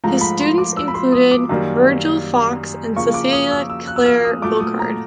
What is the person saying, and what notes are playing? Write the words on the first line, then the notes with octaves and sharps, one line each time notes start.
His students included Virgil Fox and Cecilia Clare Bocard.
G#2 F3 A3 A#5
B5
C6
D6
E6
B5
C6
D#6
D6
F#2 D#3 G3 A#3
C#3 F3 A#3 C#6
D6
D#6
E6
E6
F#6
E6
F6
D#6
A#2 F#3 A3 D6
D#6
A#5